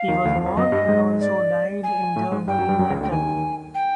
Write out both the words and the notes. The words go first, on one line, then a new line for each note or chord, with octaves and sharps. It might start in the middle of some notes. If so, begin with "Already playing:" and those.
He was born and also died in Durban, Natal.
Already playing: F5
D#2 D#3
D2 D3
F2 F3
F2 F3
F#2 F#3 D#5
G2 G3
G#2 G#3
D5
G#5
A2 A3
G#2 G#3
G2 G3 G5
F#2 F#3
G2 G3
F#2 F#3
C#2 C#3
D2 D3 G5
D#2 D#3 G#5
G5